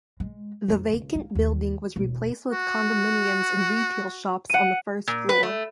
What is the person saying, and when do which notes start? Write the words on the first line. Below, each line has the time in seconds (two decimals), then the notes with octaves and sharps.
The vacant building was replaced with condominiums and retail shops on the first floor.
0.20 G#3
0.68 F2 D#4
0.93 C#2
1.15 A#3
1.35 D#2
1.96 E1 D2
2.52 F#4
4.50 F#5 D#7
5.07 A#2
5.29 B4
5.43 A3